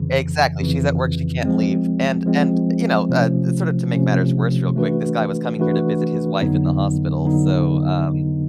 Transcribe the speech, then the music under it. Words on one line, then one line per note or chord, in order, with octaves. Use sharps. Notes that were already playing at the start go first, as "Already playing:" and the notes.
Exactly, she's at work, she can't leave, and and, you know, uh, sorta to make matters worse real quick, this guy was coming here to visit his wife in the hospital, so, um,
Already playing: F2 C#3 E3
F2 C#3 E3
F3 G#3 C4
F3 G#3 C4
C3 F3 A3 C#4
C3 F3 A3 C#4
E3 A3 D4 F#4 B4
E3 A3 D4 F#4 B4
F2 D3 F#3 B3 D#4
D3 F#3 B3 D#4